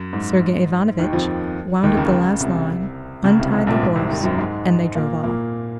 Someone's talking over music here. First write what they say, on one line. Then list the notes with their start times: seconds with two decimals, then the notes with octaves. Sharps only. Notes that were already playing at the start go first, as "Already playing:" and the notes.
Sergey Ivanovitch wound up the last line, untied the horse, and they drove off.
Already playing: F#2
0.13 G#2
0.98 D#2 D#3
1.13 F2 F3
1.83 D#2 D#3
1.97 C#2 C#3
2.40 C2 C3
3.24 C#2 C#3
3.39 C2 C3
3.53 C2 C3
3.67 A#1 A#2
3.82 G#2
3.95 C2 C3
4.10 D#2 D#3
4.23 F#2 F#3
4.38 G#2 G#3
4.95 A#2 A#3
5.23 A#2 A#3